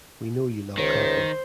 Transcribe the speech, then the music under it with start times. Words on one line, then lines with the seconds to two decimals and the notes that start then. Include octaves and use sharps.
We know you love coffee.
0.78 C#2 D#3 C5